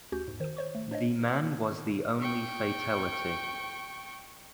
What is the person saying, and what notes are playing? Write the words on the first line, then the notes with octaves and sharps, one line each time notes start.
The man was the only fatality.
D2 C#4 F#4 G4 G6
E2 G#2
D#3 C5
C5 C#5 C#6
A3
D4 C5 C#5 D#5
G5 C#6